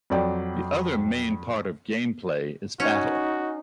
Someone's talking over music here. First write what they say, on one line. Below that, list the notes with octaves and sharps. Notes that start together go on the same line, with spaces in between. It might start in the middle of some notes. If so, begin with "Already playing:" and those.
The other main part of gameplay is battle.
F2 F#3 D5 G5
C#4 D#4 F#4